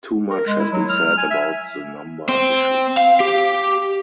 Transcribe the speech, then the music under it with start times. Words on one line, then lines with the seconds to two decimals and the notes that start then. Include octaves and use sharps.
Too much has been said about the number issue.
0.30 A#4
0.47 G#3
0.60 E4
0.72 F#3
0.89 F6
1.05 F6
1.18 G#5
1.30 E5
2.29 C4
2.97 F5
3.20 G4